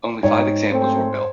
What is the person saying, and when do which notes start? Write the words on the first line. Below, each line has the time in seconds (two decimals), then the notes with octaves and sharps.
Only five examples were built.
0.23 G#2 D#4 C#5 G5
0.72 A3 C4 C5